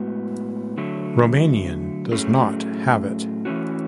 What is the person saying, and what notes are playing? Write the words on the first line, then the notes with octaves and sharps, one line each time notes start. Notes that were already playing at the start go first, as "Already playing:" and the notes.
Romanian does "not" have it.
Already playing: A2 G#3 B3 F#4
D3 F#3 A3
A2 F#3 A3 C#4 G#4
E3 A3 C#4 F#4